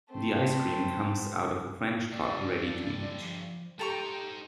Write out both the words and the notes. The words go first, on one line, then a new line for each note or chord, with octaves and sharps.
The ice cream comes out of the French Pot ready to eat.
A3 C4
G2 D3 D5
F3
D#4 G4 A4 C5 G5 A#5 C#6